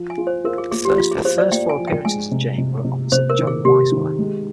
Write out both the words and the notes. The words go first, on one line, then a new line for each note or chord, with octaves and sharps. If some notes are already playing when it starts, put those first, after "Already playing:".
Her first four appearances as Jane were opposite Johnny Weissmuller.
Already playing: F3
G#5
F4
C5
F4 A#4
G#4
A#3 G#4
G4
F3 F4
G#4
F4 C5
D5
A#3 G5
G#5
F3
G5
G#3 G#5
C3
C3
C3
C3 C5
A#4
D#3
G#4
C3 G4
D#3
G#3